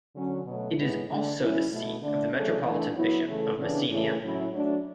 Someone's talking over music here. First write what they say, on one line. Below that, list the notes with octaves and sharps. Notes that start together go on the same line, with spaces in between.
It is also the seat of the Metropolitan Bishop of Messenia.
D3 F#3 C#4
B2 F#3 A3
A2 G#3 B3 E4
D3 A3 D4
F#3 C#4 E4
B2 A3 E4
D3 A3 D4
C#3 F#3 A3
E3 A3 D4
F#3 B3 E4
C#3 E3 A3
C#3 E3 B3 D4
C#3 E3 A3 E4
A2 F#3 C#4 E4
F#3 A3 D4